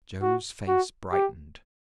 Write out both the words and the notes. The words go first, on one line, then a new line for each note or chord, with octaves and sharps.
Joe's face brightened.
F#4
F#4
G4